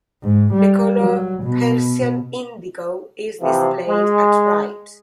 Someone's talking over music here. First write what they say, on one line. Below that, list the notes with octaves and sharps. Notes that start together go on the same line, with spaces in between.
The color Persian indigo is displayed at right.
G#2
G3
F#3
B2
C3 E3 F3 C4
G#3